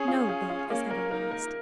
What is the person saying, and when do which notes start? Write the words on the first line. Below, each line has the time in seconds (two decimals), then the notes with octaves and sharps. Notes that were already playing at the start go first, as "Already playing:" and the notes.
No good is ever lost.
Already playing: C#4 G#4
0.08 F4
0.29 G#4
0.50 F4
0.70 A#3 C#4
0.91 A#4
1.11 D#4 A#4
1.31 A#4